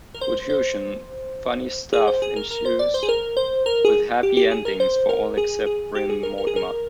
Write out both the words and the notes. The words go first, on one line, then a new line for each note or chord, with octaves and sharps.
Wodehousian funny stuff ensues, with happy endings for all except Bream Mortimer.
A#4
C5
C5
G#4
C5
G#4
A#4
A#4
C5
D5
C5
G#4
A#4
C5
A#4
G#4
G4
G4
G#4
A#4
C5
A#4
G#4
G#4
G4
G#4
A#4
A#4
G#4
A#4